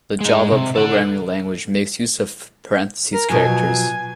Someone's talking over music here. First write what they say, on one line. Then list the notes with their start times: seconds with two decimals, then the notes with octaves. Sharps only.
The Java programming language makes use of parentheses characters.
0.21 G#3 D#4
0.51 C3
0.76 A4 F#5
3.14 A#4
3.30 B2 F3 F#3 G#5